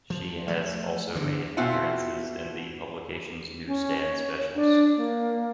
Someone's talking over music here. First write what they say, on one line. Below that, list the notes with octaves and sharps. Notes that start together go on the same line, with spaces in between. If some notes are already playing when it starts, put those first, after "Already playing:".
She has also made appearances in the publication's newsstand specials.
F3
F3 A3
G2 D3
B2 C4 E4 F4 F#5
C#4
C#5
D4
A#3